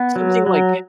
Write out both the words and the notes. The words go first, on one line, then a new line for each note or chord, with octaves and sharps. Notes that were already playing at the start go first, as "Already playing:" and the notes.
something, like,
Already playing: B3
F#3
F#3